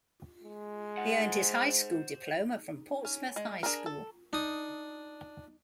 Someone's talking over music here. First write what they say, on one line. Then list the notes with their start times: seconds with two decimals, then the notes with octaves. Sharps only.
He earned his high school diploma from Portsmouth High School.
0.44 G#3
0.98 C5 F#5
3.05 C#4
3.36 G#3
3.63 D4 G#4 A#4
3.86 A4
4.33 D4 D#4 D#6